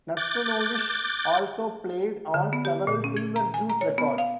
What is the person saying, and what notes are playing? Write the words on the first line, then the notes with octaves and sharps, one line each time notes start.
Nastanovich also played on several Silver Jews records.
D6 F#6 G6 A6
D3
B3
G4
A#2
C#4
G#6
A#5
G#5
A#5
C#5
B3
F5